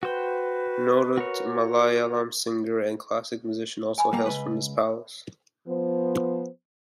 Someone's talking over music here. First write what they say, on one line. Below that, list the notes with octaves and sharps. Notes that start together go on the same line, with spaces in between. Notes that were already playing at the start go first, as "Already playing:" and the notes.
Noted Malayalam singer and classical musician also hails from this palace.
F#4 B4 C5 G5
F#4 A#4 C#5
G#5 B5
G3 A#3
C#2 B2 B4
F3 B3 C5